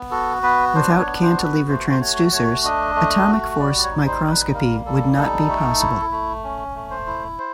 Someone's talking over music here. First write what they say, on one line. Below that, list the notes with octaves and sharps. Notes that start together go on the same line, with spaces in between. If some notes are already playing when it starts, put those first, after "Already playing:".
Without cantilever transducers, atomic force microscopy would not be possible.
Already playing: B3
F#4 A4
B3 B4
D4 C5
C#5
B3
C5
F#4
B4
A3 C5
C5
F#4 C#5
A3 C#5
D4 D#5
A3
F#4
G3 D5
D5
C#5
D#4
C5
G3
B4
A#3 A#4
G3 A4
D#4 A4
A3
E4
A3
C#4
A3
C5
E4
C5